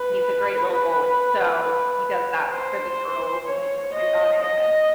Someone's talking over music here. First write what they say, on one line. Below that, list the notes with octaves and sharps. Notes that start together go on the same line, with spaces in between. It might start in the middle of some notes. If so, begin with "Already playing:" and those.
he's a great little goalie. So he does that for the girls and they can shoot on him and
Already playing: B4
C5
C#5
D#5
D#5